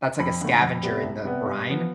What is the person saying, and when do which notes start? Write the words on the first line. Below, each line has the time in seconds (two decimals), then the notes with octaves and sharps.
that's like a scavenger in the brine.
0.20 F2 B5
0.41 D3 A3
0.62 F2
0.83 C3 G3 B3
1.03 C2
1.25 C3 G3 B3
1.45 G2
1.67 F3 B3